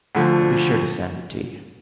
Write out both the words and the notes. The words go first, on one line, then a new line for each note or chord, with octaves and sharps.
I'll be sure to send it to you.
D2 D3 F3